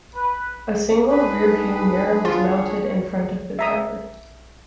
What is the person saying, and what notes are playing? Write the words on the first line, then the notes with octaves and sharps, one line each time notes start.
A single rear view mirror was mounted in front of the driver.
B4
B3 D4 D#4 G#4 B4
F4 C#5
E5 A#5 D#6